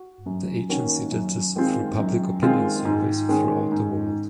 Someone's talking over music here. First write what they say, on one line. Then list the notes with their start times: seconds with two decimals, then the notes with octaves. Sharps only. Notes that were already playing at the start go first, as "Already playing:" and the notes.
The agency did this through public opinion surveys throughout the world.
Already playing: F#4
0.26 F#2
0.69 D#3 A#3 C#4 F#4
1.12 F#2
1.55 D#3 G#3 C4 F4
1.99 F#2
2.42 D#3 G#3 C4 F4
2.85 G#2
3.29 D#3 G#3 C#4
3.72 G#2